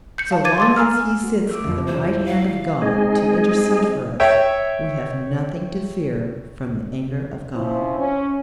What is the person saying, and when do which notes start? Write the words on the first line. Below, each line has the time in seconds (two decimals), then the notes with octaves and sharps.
So long as He sits at the right hand of God to intercede for us, we have nothing to fear from the anger of God.
0.18 G6 C#7
0.31 F5 A5
0.45 C5 F5 D6 G#6 A6 D#7
0.58 C6 D6 A6
0.76 G#5 A#5 E6 F6
0.91 F6
1.24 F#4 A#4
1.49 A3 D6 E6 G6
1.67 F2 B2 F3
1.87 E3 A3 C5
2.26 F5
2.82 G#3 C4 D#4 G#4 D#5 G#5
4.20 C#5 E5 G5
7.54 F3 C4 C#4 E4 C5
7.98 C#4